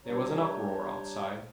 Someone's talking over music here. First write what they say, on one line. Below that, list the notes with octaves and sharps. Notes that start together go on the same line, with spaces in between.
There was an uproar outside.
G3 D4 C#5 A#5